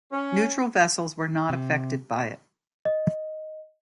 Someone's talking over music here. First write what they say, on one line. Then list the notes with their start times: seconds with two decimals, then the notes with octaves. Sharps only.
Neutral vessels were not affected by it.
0.12 C#4
1.49 C3
2.85 D#5